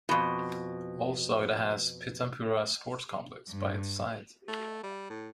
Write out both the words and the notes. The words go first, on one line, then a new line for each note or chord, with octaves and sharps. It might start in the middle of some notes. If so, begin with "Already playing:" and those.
Also it has Pitampura Sports Complex by its side.
F2 B2
G2
A3
G3
A2